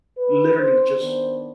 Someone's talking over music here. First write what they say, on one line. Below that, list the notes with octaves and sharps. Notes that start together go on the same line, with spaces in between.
literally just,
B4
C5
D#3 B3 D4 C5